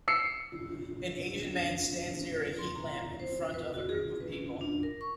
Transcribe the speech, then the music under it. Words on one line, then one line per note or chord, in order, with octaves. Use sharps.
An Asian man stands near a heat lamp in front of a group of people.
E6 C7 C#7
C6
A#5
C5
B4
F#4
G#4
B4
C#4
D4
A#4
C#6